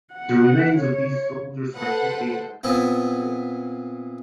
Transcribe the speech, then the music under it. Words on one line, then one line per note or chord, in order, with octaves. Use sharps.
The remains of these soldiers are still being uncovered today.
F#5
C#5
A4 B4 C5 F#5
A#2 B3 C4 E4